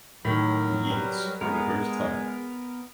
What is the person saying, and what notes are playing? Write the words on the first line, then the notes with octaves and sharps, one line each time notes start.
Yeats for the first time.
A2 D#3 F#3 A#4
G3 B4
G#3 B3 A#4